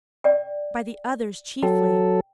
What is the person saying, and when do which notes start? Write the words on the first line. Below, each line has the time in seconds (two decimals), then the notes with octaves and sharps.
'By the others chiefly.'
0.24 D5 G5
1.63 F#3 A4 G5